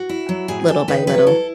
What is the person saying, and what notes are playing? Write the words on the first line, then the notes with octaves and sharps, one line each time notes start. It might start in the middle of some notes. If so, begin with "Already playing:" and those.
little by little.
Already playing: F#4
E4
F#3
A2 G#4
E3 A4
D#3 B4
F#3 B4
E4 A4